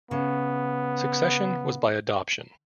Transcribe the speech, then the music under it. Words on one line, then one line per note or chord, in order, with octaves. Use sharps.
Succession was by adoption.
C#3 B3